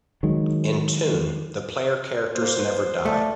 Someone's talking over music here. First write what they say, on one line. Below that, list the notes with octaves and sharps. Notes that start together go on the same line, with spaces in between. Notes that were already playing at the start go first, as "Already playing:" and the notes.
In "Toon" the player characters never die.
D#3 F#3 G#3
A#3 C5
B4
A3 D5